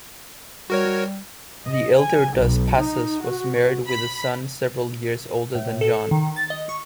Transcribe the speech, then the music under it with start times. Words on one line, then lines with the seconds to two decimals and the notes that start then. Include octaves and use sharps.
The elder Dos Passos was married with a son several years older than John.
0.70 G3 F#4 A#4 C#5
1.65 D#5
1.99 G#5
2.35 B1
2.80 D#4
3.22 F#4
3.85 B5
5.55 A2
5.81 A4
6.11 D#3
6.36 A6
6.50 D#5
6.69 C#6